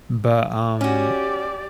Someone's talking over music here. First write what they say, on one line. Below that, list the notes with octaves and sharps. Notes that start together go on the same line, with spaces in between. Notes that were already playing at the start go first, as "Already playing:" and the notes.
But, um
C#4 F#4 G4 D5